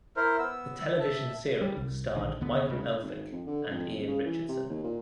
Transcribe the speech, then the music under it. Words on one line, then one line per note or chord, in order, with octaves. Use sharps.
The television serial starred Michael Elphick and Ian Richardson.
E4 A#4 C5
B3 E6
E5
E5 A5
G3
C2
A#1 D3 D#3
D#2 D3 B3
C#3 G#3
G#1
F2
D3
F2
D#1
C#3
E3
C3
D#2
A#2